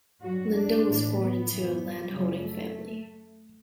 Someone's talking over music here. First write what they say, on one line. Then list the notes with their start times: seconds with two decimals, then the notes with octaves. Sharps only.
Lindo was born into a landholding family.
0.22 G2 F#3 F#4
0.54 D4
0.86 A2 E3
1.18 B3
1.49 F#2 E3
1.81 G3
2.13 F#2 C#3 F#3 G3
2.45 A3